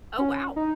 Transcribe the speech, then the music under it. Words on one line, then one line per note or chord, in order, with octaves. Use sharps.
Oh, wow.
C#4
D#4